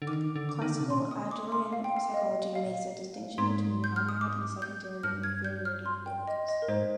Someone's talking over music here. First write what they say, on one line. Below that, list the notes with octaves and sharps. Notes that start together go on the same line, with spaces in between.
Classical Adlerian psychology makes a distinction between primary and secondary inferiority feelings.
D3
D#3 D6
D3
D6
D#3
D3
C3
A#2 C6
D#6
D6
C6
F5
G5
F5
D#5
F5
G#2 C6
G6
F6
D#6
D6
G6
G2 F6
G#6
G6
F6
C6
G5
D#5
D#5
A#4
G#2 C5